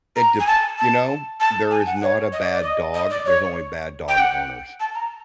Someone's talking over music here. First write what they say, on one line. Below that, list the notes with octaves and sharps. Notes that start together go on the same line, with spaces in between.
It dep you know? There is not a bad dog, there's only bad dog owners.
A#5
G#5
A5
A5
A5
G#5
F#5
C#5
D#5
D5
D5
D#5
D#5
D5
C#5
G5
F#5
A5
A#5